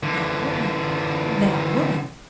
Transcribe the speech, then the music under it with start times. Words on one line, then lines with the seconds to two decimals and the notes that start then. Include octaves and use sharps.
"That woman--that woman!"
0.03 D3 E3